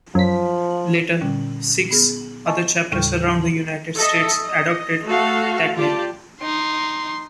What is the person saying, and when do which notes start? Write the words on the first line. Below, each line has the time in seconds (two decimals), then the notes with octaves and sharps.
Later, six other chapters around the United States adopted that name.
0.15 F#2 F3 B6
1.21 A#2 D3 G3 C#4
1.91 B3 G#4 F6
2.46 D#5 G#5 A5 C#6 A6
2.92 D#2 A2 C#3 G3 C#6 F6
3.97 A4 D#5 E5
4.44 D#5
5.05 A3 F#4 A4 F5
5.76 F4 G4 D5 A5
6.42 D#4 C6